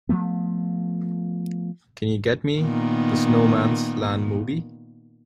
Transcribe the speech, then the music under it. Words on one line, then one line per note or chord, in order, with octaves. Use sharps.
Can you get me the Snowman's Land movie?
F3 F#3 A3 B3
A#2 D#3 B3